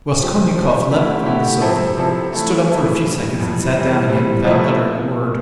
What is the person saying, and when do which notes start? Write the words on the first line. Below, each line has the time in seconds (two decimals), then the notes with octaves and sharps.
Raskolnikov leapt from the sofa, stood up for a few seconds and sat down again without uttering a word.
0.20 F3 C4 G4
0.55 F3 C4 G4
0.91 D3 A3 E4 G4
1.26 D3 A3 E4 G4
1.62 C3 F3 C4 E4 A4
1.97 C3 F3 C4 E4 A4
2.33 E3 A3 E4 A4
2.68 E3 A3 E4 A4
3.02 F2 E3 G3
3.38 F2 E3 G3
3.74 E3 G3 C4
4.09 E3 G3 C4
4.44 C3 F3 A3 C4 E4